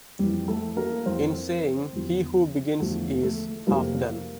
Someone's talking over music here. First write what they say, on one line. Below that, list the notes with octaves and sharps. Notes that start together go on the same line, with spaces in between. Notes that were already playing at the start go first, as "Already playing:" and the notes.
In saying, He who begins is half done.
F2 E3 G3 G4
A3 A4
A#3 A#4
F2 E3 C4 C5
E2 D3 F3
E2 D3 F3 A3 A4
A3 A4
F2 C3 F3 A#3 A#4